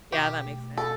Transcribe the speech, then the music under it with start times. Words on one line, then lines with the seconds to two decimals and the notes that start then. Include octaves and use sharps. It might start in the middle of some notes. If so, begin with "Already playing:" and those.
Yeah, that makes sense.
0.12 B2 G4
0.45 A3
0.77 B2 A4